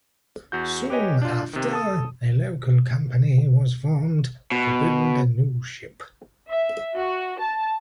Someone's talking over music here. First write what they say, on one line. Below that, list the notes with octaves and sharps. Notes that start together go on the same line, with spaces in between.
Soon after, a local company was formed to build a new ship.
E2 F#4 G6
G4 B4 C#5 D#5 G#5
D4 F4
C3 D#3
A4 A5 D#6
B2
E5
F#4
A5